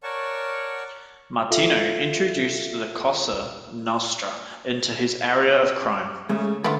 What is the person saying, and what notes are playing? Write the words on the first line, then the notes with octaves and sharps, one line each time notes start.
Martino introduced the Cosa Nostra into this area of crime.
A#4 C#5 D5 F#5 A5 C#6
F4 A4 E5 F5
C#3 G#3 A3
D3 D#3 A3 B3 F4 D5